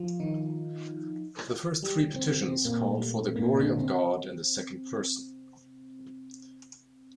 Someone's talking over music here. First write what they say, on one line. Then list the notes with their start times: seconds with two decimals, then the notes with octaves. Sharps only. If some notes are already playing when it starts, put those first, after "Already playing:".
The first three petitions called for the glory of God in the second person.
Already playing: F3 F4
0.20 D#3 D#4
1.83 G3 G4
2.16 C3 C4
2.48 C3 C4
2.65 A#2 A#3
2.80 A3
2.97 G3
3.14 A3
3.36 A#2 A#3
3.57 D3 D4
3.79 C3 C4